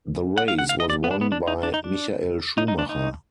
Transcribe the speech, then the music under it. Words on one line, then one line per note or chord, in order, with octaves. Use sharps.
The race was won by Michael Schumacher.
F#5
F5
F#5
F5
D#5
D5
B3
D4
B3
D4
D#4
D4
D#4
D4
D#4
D#4
D4
D#4